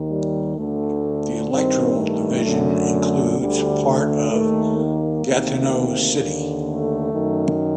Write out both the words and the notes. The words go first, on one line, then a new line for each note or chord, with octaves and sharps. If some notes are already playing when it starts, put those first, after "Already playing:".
The electoral division includes part of Gatineau city.
Already playing: D#2 D#3
G3
D2 D3 A3
G2 D#3 C4
A3
F#2 D3
D2 D3 G3
A3
D#2 D#3 A3
A#3
D2 C3 D#3
D#2
D3
A3
F#2 D#3